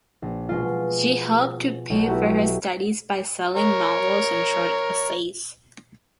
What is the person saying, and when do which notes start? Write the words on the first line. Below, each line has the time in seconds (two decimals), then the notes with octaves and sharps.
She helped to pay for her studies by selling novels and short essays.
0.22 A#1
0.49 B2 G#3 F4
1.90 B1
2.06 B3 E4 F#4 G4 B4
3.56 A#4 C#5 A#5